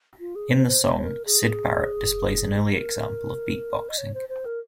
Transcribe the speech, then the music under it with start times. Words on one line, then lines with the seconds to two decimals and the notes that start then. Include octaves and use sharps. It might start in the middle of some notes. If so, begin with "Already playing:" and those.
In the song, Syd Barrett displays an early example of beatboxing.
0.20 F4
0.35 G#4
0.51 C5
0.67 C5
0.84 C#5
1.04 A#4
1.25 G#4
2.72 A#4
3.89 D#5
3.98 C#5
4.14 C5
4.29 C5
4.45 A#4